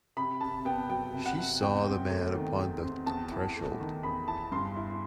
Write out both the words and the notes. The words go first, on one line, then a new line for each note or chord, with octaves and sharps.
She saw the men upon the threshold.
C3 B5
C3 A5
B3 G5
F#3 G5
C3
F#5
C3
E2 G5
C4
A3
D#3
E2
C4
E2 A5
E4
A3
D#3
E2 B5
E4 A5
G2 C6
E4